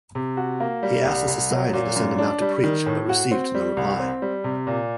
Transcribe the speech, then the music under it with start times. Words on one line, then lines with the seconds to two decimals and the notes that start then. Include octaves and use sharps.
He asked the Society to send him out to preach but received no reply.
0.15 C3
0.37 F#4
0.60 A#3
0.83 G3
1.05 C2
1.28 C2
1.51 F#3
1.73 A#2
1.96 F#2
2.18 D4
2.42 G3
2.64 D#3
2.86 A2
3.09 F#4
3.31 C4
3.55 G3
3.77 C2
4.00 C4
4.22 G3
4.44 C3
4.67 A#2